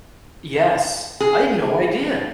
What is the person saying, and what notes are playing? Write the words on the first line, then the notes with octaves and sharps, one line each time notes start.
Yes, I'd no idea.
G#4